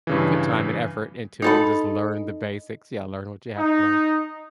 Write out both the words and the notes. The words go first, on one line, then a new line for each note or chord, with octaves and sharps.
Put time and effort into it and just learn the basics, yeah, learn what you have to learn.
G2 C#3 E3
D#4 A4 B5
D#4